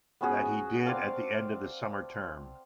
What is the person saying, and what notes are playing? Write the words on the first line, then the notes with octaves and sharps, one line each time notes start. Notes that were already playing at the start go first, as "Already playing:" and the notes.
That he did at the end of the summer term.
B3 C#4 F#4 G#4
C4 D5 F5 A5